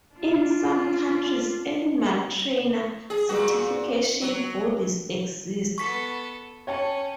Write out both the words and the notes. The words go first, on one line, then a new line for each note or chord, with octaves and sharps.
In some countries animal trainer certification bodies exist.
D4 F4
G#4
A#2 F#4
F#3
B3 A4 C#6 B6
C#4 C#5 G5 A5